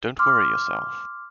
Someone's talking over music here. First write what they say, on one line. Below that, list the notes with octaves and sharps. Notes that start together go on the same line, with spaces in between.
Don’t worry yourself.
C6 D6 F6